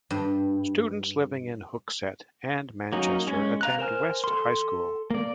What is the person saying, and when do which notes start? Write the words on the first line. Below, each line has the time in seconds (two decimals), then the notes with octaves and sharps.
Students living in Hooksett and Manchester attend West High School.
0.10 G2
2.93 F#3 A#3 C#4 D#4
3.27 G#3 C#4
3.61 F5 A#5 F#6
3.79 A#4 C5 G#5 F6
4.24 A4 C6
5.10 A#3 D5